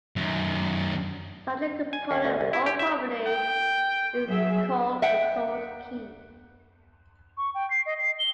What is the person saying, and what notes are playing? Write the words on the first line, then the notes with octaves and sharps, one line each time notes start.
Such a component or property is called a sort key.
F#2 D#3
G#5
D#2
D2
C2
E4
G4
E5
G5
F#3 G#4 E5
E5 F#5 G5
C#6
G5
C7
D#5
C7
G7